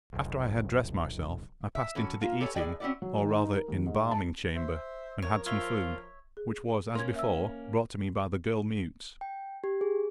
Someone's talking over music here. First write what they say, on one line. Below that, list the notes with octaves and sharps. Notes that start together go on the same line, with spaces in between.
After I had dressed myself I passed into the eating, or rather embalming chamber, and had some food, which was as before brought to me by the girl mutes.
F1 B1
E5
E3 C#4 F#4 A4
A#3 F4
G4 A4 B4 C#5 G5 G#5
A2 G#4 D5 G5 G#5
C4 C#4 D#4 E4 F#4 D5
F#3
D#3
D#4
A#4
D#2
G#2
A5
C5 E5
F3 A#4 C#5
F4 C#5 E5
G#4
A#3 C#4 C6 G#6
E5 E6
G5
G4
G#4